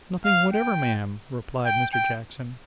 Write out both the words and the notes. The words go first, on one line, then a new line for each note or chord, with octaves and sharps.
'Nothing whatever, ma'am,' replied Mr. Jackson.
F5
G5
G5
G5